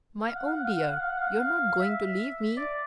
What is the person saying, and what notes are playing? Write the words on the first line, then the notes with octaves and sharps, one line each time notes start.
"My own dear, you're not going to leave me!"
F5
F#5
F5
F#5
F5
F#5
F5
F#5
F5
F#5
F5
F#5
F5
E5
D5